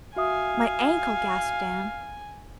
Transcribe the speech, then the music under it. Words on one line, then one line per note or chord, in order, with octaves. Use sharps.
"My ankle," gasped Anne.
F#4 E5 F5 G#5 D#6